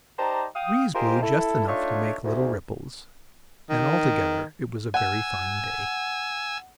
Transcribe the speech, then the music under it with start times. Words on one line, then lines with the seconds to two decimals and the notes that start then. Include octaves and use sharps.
The breeze blew just enough to make little ripples, and altogether it was a very fine day.
0.19 D#4 G4 C5 D5 A5 A#5
0.55 F5 G5 D#6
0.94 D#4 F4 G4 G#4 A#4 C5
1.22 E4 A4
1.68 A3 D4 D#4 F4 C#5
2.24 D2 G#2
3.70 D#3
4.94 F#5 G#5 E6